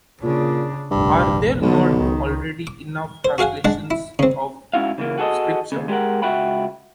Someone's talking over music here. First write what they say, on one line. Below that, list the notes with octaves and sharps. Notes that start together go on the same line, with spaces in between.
Are there not already enough translations of Scripture?
A#2 C#3 D4
F1 A#1 G2
B1 D3 F3
C#2 D#3
D6
C5
F#4 G#4 F5 F#5 G#5
G#3 D4 F#5 A5
E4
C#3 C4
G#2 C#4 E4 F#4 F5
C#3 E3 A3 A#3
F#4 G#4 A4 C#5 D#5
D#2 C#3
G#3 G4 G#4 A#4 F#5
C#2 F#4 E5 F#5 G5 B5